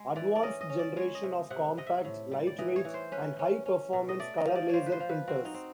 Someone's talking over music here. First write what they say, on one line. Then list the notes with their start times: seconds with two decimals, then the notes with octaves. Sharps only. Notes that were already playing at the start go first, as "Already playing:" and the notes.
Advanced generation of compact, lightweight and high-performance color laser printers.
Already playing: G#3
0.16 E3 D5
0.36 D5
0.43 C#4 D#5
0.61 D#5
0.70 C#4
0.79 D5
0.96 G#3 C#5
1.15 D#5
1.23 C3
1.50 C3 F#5
1.77 C3 D#5
1.86 E5
2.05 A2
2.31 G3
2.47 D5
2.58 E3 D#5
2.76 C#5
2.85 E3
2.94 C5
3.12 C#4 B4
3.39 C#4
3.66 C#4
3.93 B2
4.09 D#5
4.20 A3 D5
4.38 D#5
4.47 F3
4.55 D5
4.69 F3 C5 C#5
4.86 B4
4.92 C5
5.00 F3
5.09 B4
5.27 C4 F#4
5.45 D#4
5.54 C4